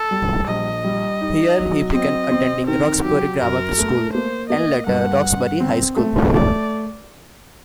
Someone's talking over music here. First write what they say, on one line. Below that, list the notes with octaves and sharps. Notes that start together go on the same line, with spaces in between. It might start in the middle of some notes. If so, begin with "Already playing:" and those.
Here he began attending Roxbury Grammar School and later Roxbury High School.
Already playing: A4
G3
A#1 D#5
G3
D#4
F#3
C4 D#5
C4
D#3 A#4
F#3 G4
F#2 A#4
A3
A#3 C5
A#3 D#5
G2 F#5
G2
C4
A3
A3 D5